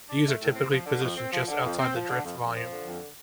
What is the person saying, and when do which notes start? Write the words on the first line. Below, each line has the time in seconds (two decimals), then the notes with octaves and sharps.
These are typically positioned just outside the drift volume.
0.09 D4
0.24 A3
0.40 A2
0.55 C4
0.70 F3
0.86 D3
1.01 F2
1.17 C4
1.32 F3
1.47 D3
1.63 F2
1.78 C4
1.93 F3
2.09 D3
2.24 F2
2.39 F2
2.54 F3
2.70 D3
2.85 F2